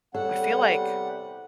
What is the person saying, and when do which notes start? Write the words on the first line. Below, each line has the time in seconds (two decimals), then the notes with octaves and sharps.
I feel like
0.14 E2 C3 G3 A4 C#5 F#5